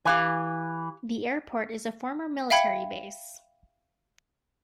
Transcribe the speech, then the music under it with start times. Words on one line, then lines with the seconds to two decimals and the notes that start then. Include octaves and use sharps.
The airport is a former military base.
0.05 E3 G4 F5 G#5
2.50 E5 F5 G5 B5 G#6 C#7